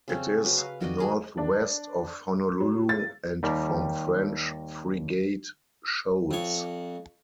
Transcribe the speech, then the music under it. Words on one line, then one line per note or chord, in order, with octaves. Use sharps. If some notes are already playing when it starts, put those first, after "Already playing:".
It is northwest of Honolulu and from French Frigate Shoals.
C#3 C4 C#4 A4
F#3 B4
F5
D#3 F#4 D5 D#5
F#4 G#4 A#4
D4
F#3
A6
D#2 G3 A#4
F2 C#5